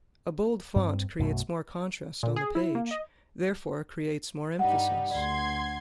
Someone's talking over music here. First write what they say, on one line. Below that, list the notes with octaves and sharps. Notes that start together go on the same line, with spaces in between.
A bold font creates more contrast on the page, therefore creates more emphasis.
G2 C4
B1 F#2 B2 A3
A#2
G#4
E4
A#3
D#5
G2 G3 D#4 F#5
D2 C6 G#6